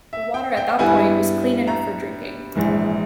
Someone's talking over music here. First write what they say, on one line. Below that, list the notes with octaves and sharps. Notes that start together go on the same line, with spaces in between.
The water at that point was clean enough for drinking.
E5
G5
G5
G2 G3 B3 E4 G#5
A#5
A#1 G#2 E3